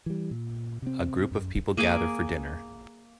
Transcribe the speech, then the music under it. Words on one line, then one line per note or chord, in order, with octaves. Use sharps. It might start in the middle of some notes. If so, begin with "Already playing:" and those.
A group of people gather for dinner.
E3 G3
A#2
C3 C4
F#2
A#3 G#4 G#5 D6